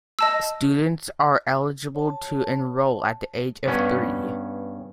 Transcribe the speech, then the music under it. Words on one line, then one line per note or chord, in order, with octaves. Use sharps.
Students are eligible to enroll at the age of three.
D#5 A5 E6
C#5 A5
G2 B3 C#4